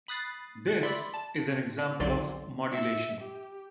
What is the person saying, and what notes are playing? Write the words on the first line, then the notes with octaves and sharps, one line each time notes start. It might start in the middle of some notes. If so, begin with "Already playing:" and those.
This is an example of modulation.
B5 D#6 F#6 A6 C7
F#6 C#7
D5 E5 B5 C6
A5
B1 F2 D3 F#3 D5 C6
E5
G4